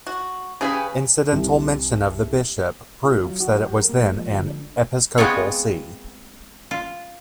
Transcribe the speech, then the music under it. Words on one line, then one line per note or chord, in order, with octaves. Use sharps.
Incidental mention of the bishop proves that it was then an episcopal see.
F#4
C#3 C#4 G4 G#4 B4
C2
F4
F#3
F#4
G4
A#4
A#3
G#3
F3
D3
D4
G#3 B3 C4 F4 C#5
F4